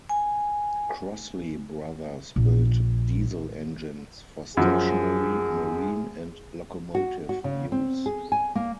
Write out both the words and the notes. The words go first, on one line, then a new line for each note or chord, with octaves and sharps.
Crossley Brothers built diesel engines for stationary, marine and locomotive use.
G#5
A#1
F#2 F3 G#4
F#4
F#4
C#3
C4
G#4
G#5
A#3